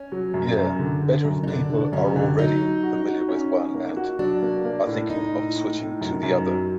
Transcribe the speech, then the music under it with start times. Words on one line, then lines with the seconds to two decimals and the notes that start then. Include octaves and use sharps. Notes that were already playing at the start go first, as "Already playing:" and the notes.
Yeah, better if people are already familiar with one and are thinking of switching to the other.
Already playing: C#4
0.12 F#3
0.34 F#2
0.57 F#2
0.79 D3
1.02 D3
1.25 F#2
1.43 D#4
1.47 D3 D4
1.70 D3
1.93 F#2 C#4
2.16 D3
2.38 F#3 D#4
2.61 F#3
2.83 F#4
3.06 F#4
3.29 C#4
3.52 C#4
3.74 A#3
3.97 F#4
4.19 F#3 D4
4.42 A#3
4.65 A#3
4.87 A2
5.10 A2 D#4
5.33 A2
5.55 A2
5.78 A2
6.01 F#2
6.23 F#2
6.47 F#3